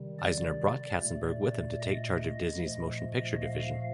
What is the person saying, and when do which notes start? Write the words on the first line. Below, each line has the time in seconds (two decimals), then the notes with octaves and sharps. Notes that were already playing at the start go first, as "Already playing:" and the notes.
Eisner brought Katzenberg with him to take charge of Disney's motion picture division.
Already playing: C3 D#3 G3
0.19 D5
1.00 A#2 A3
1.81 D#5
2.61 A#2 F3 A3
3.42 F5